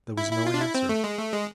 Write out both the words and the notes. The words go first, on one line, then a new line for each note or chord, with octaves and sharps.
There was no answer.
E4
E4
F4
D4
E4
C4
A3
G#3
A3
G#3